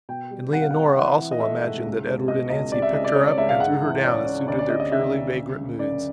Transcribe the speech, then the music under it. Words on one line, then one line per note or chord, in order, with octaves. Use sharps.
And Leonora also imagined that Edward and Nancy picked her up and threw her down as suited their purely vagrant moods.
B2 G5
G3
C4 F#5
F5
C4 F#5
E3 F#5
E3
D#5
A3 E5
G#2
C#2
C#2
B2 D#5
C#2 D#5
C3 D5
E5
C#2 D#5
D5
C#2 C#5
D5
C#2 E5
F5
G#2 F#5
E3
C#4 D5
C#4
D2 D5
D5
C3 D#5
D#5
D#3 E5
D2
C#3
C#3
F#2 D5